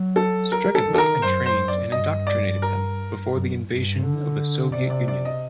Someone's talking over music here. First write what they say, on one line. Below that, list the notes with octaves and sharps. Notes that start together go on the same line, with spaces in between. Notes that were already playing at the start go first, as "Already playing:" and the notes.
Streckenbach trained and indoctrinated them before the invasion of the Soviet Union.
Already playing: F#3
A4
A#4
A4
D#3
A4
A#4
F#2 C5
C5
D5
G2 D#5
D5
A#4
F#2
G2
D3
C3 D5
D5
D5
D#5